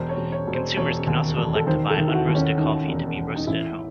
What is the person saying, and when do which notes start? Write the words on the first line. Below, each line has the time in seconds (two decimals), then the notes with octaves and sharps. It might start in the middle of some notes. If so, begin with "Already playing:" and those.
Consumers can also elect to buy unroasted coffee to be roasted at home.
Already playing: E1 C5
0.09 C#5
0.17 E1
0.32 C#5
0.47 E1
0.54 C5
0.77 E1 C#5
1.07 D#2
1.37 E1
1.55 A4
1.67 D#3 C5
1.90 A4
1.97 D#3
2.08 E4
2.12 F#4
2.27 D#2
2.35 C#4
2.57 D#3 D#4
2.88 E1
3.17 E1
3.36 D#4
3.47 A1 E4